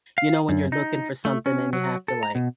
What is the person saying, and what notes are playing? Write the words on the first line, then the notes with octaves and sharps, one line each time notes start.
you know, when you're looking for something and you have to like
F5
F#2
D#4
A3
C#4
F#3
A4
A#5
B2